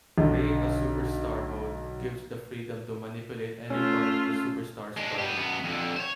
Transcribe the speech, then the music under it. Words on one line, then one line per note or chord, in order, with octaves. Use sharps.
"Create-A-Superstar mode" gives the freedom to manipulate any part of the superstar's body.
B1 D3
A3 C#4 F4
G#3 D4
B3 G4
F#2 B3
F2 D3
C5 C#5